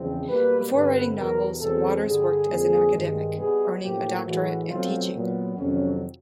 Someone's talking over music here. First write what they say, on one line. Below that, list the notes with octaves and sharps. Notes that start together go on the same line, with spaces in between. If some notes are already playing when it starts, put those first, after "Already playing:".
Before writing novels, Waters worked as an academic, earning a doctorate and teaching.
Already playing: E2 C#3 F3 G#3 C4
B2 G3 A#3 B4
G2 D3 G3 C4 B4
E2 B2 G3 A#4
E2 B2 G#3 C4 A4
G2 D3 G3 G#4
F2 D3 F3 A#3
G2 D#3 G#3
B2 G3 B3 G#4
A2 F3 A#3 G4
A2 E3 G#3 F#4
B2 F#3 A3 C4 F4
A#2 F#3 B3
F2 C3 D#3 F#3 C#4